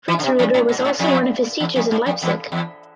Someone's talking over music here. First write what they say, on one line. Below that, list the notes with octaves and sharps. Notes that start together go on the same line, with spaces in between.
Fritz Reuter was also one of his teachers in Leipzig.
E3
D3
C3
F2
A2
B2
G#2
A2
F2
E2
F2
G#2
F2
E2
E2